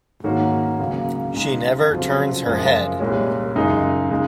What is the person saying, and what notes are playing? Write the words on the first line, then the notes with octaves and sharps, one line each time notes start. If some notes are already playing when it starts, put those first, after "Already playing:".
She never turns her head.
G#2 D#3 A#3 C#4 F#4
C#2 C#3 F#3 A#3
C#3 G#3 D#4
F2 C#3 F#3 C4 F4
F#2 C#3 F3 G#3
C2 A#2 G#3 C#4
F#2 C#3 G#3 D#4
C#3 G#3 D#4